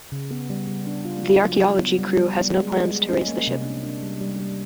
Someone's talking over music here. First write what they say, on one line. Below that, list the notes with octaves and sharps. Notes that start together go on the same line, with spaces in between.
The archaeology crew has no plans to raise the ship.
C#3
B3
G3
G3
D4
F4
F4
F#3
F#3
B3
G3
G3
B3
G#3
G#3
G#3
C#4
A#3
C3
D4
D4
G3
G3
G3